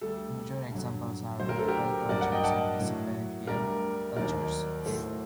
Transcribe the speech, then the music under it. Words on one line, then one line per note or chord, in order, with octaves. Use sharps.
Major examples are the Hopewell cultures and Mississippian cultures.
D2 D3 G3 A4
G2 D3 F#3
D2 D3 F#3 C5
A#4
A4
G4 A#4
G2 F#3 A#4 D5
D5 F#5
D#5 G5
F#5 A5
A2 F#3
D2 D3 G3 A#4 D5
D#2 D#3 F#3 A#4 D5
A2 F#3 A4 C5